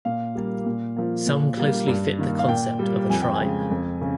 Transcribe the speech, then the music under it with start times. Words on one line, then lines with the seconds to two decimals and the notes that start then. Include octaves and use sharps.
Some closely fit the concept of a tribe.
0.05 A#2 F5
0.35 G3 A#3
0.66 A#2
0.96 F3 A#3
1.27 A#2
1.57 G3 A#3
1.87 G2
2.19 D#3 A#3
2.39 F5
2.48 A#2 G5
2.79 G3 A#3
3.09 F2 G#5
3.22 G5
3.34 G#5
3.40 C#3 G#3
3.71 F2
4.01 C#3